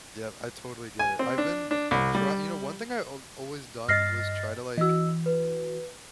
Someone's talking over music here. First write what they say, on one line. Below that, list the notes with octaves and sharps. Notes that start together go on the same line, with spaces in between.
Yeah. I totally get it. I've been try you know, one thing I I've always done was try to, like,
G#5
C4
D4
D4
C2
G3
G2 D#5 F6 A6 A#6 C7
E3 F#4 D#5 E6
B4